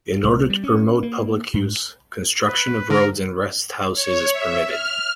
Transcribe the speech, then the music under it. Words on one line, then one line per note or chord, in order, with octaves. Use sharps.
In order to promote public use, construction of roads and rest houses is permitted.
C2
G3
C#4
A#3
G#2
B4
D3 A#4
C#5
E5
F6